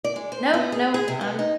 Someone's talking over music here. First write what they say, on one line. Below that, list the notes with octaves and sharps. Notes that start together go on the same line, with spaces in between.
Nope, nope. I'm
D5
G#3
C5
B3
G#4
G#4
C3
B3
D#4